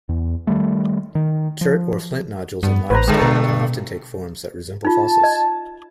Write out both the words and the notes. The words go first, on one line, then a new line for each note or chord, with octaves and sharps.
Chert or flint nodules in limestone can often take forms that resemble fossils.
E2
D#3 G3 A3
D#3
F3
G2 B3
A1 B4 C5 A#5
G2 D3 G#3 A3 A5 A#5
B2 A#4
D#4 F4 A5
D#5